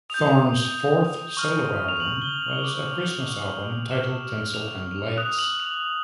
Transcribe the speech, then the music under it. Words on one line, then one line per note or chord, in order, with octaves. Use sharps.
Thorn's fourth solo album was a Christmas album entitled "Tinsel and Lights".
D#6 G6 F7
C#6 F6
F7
F#7
G7
F#7
D6 F#6 F#7
F7
D6 F6 E7
F7
D#6 F#6 F7
F#7
F#7